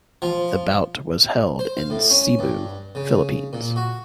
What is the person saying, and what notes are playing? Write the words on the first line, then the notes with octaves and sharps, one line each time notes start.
The bout was held in Cebu, Philippines.
F3
C5
F5
A2
C#4
G2
C#3
A#2
F#4